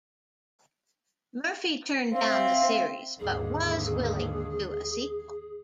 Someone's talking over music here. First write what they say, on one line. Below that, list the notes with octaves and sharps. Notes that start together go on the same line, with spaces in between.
Murphy turned down the series but was willing to do a sequel.
C4 E5 F5
D#2 G#2 D3 G#4